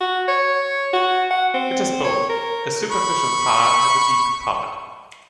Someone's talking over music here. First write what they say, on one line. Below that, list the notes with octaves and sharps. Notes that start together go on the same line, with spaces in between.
It has both a superficial part and a deep part.
F#4
C#5
F#4
F#5
C4
C#5
A#4
B5 C#6